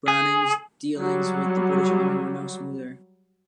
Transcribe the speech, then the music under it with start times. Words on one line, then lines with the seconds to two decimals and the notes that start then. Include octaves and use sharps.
Browning's dealings with the British Army were no smoother.
0.08 G#4
0.99 F#3 G3